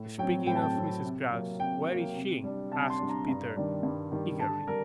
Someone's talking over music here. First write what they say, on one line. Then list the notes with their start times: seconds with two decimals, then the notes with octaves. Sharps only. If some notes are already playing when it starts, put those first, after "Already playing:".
"Speaking of Mrs. Grouse, where is she?" asked Peter eagerly.
Already playing: A2
0.18 F#3 G5
0.23 C4
0.46 A2 G5
0.55 A5
0.62 G5
0.75 F#3 C4
1.03 C3
1.31 F#3 A#3
1.59 C3 G5
1.87 F#3 A#3
2.15 C3
2.44 G3 D4
2.72 C3 A5
2.90 C6
2.99 G3 D4
3.09 A#5
3.28 G2
3.56 D#3 G3 D4
3.83 G2
4.12 D#3 G3 D4
4.40 D3 A5
4.67 G3 A#4